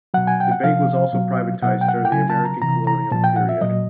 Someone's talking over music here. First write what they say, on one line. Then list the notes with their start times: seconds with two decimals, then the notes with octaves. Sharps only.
The bank was also privatized during the American colonial period.
0.14 B2 F#3 F#5
0.27 G#5
0.40 G5
0.51 F#5
0.64 C3 F3 F5
1.13 B2 F#3
1.62 B2 F#3 F#5
1.81 G5
1.88 F#5
2.05 G5
2.12 C#3 F#3 G#5
2.30 A5
2.45 A#5
2.62 C3 E3 A#5
2.87 A#5
3.11 A#2 F3 A5
3.24 G5
3.36 F#5
3.49 E5
3.61 A#2 F#3 D#5